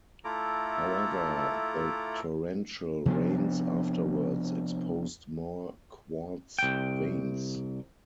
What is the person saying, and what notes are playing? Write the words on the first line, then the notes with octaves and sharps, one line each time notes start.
However, the torrential rains afterwards exposed more quartz veins.
A3 E4 F4 A4 A#5 D6
C3 F3 B3 D4
C2 G5